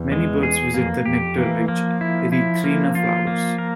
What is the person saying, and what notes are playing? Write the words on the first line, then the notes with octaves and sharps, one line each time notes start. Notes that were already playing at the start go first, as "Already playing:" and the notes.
Many birds visit the nectar-rich "Erythrina" flowers.
Already playing: E2
G#3
G#4
F2 A#3
F2 G4
E3 A#3
F3 A#3
E4
E4
A#3
F4
A#3
A#4